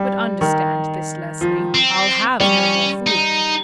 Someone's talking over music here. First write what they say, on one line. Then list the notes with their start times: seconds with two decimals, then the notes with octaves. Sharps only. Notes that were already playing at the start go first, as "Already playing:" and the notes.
But understand this, Leslie, I'll have no more fooling.
Already playing: G3
0.41 D#3
1.41 F3
1.74 C4
2.40 G3 C#4
3.07 D#4